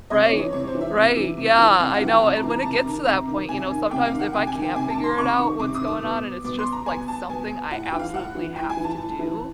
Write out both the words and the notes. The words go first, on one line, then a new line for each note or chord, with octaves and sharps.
Right, right, yeah, I know, and when it gets to that point, you know, sometimes if I can't figure it out what's going on, and it's, just like, something I absolutely have to do,
C3 D#5
C#5
E3
C#5
C3 C#5
C5
E3
E5
C3
E3
C3
E3
C3 F5
F#5
E3
G5
C3 A5
A#5
E3
A#5
C3 A5
A#5
D#3
C3
D#3
C3 G#5
D#3
C3 G5
F5
D#3
F#5
C3 G5
G#5
D#3
G5
C3 G#5
A5
D#3
C6
C3 C#6
D#3
C3 D6
D#6
D#3
D6
B2
B2 D6
C6
A#5
B2 G#5
A5
B2 G#5
A2 F#5
G5
E3
F5
A2 F#5
E3
A2 G5
G#5
E3
A5
A2
E3